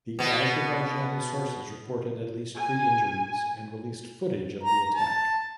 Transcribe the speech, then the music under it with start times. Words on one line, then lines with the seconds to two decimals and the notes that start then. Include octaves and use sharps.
The Azerbaijani sources reported at least three injuries and released footage of the attack.
0.19 B2 B3
2.56 G#5
4.63 A#5
4.94 A5